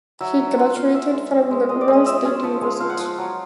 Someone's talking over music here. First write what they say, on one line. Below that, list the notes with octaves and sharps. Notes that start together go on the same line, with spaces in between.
He graduated from the Ural State University.
F#3 E5
F#3
F4 F#5
F4 F5
C#4 E5
G#3
C#4
G#3
G#3 D#5
D5
G#3
D#5
F4 E5
C#4
F3
G#3
F3 F5
F#5
F3 F5
F#3